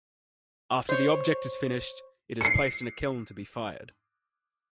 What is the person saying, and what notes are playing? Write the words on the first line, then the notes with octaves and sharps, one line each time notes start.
After the object is finished, it is placed in a kiln to be fired.
C5 C#5
C7 C#7